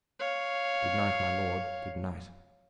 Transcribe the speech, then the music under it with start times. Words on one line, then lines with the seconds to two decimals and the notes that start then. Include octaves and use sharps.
Good night, my lord, good night.
0.20 C#5 F5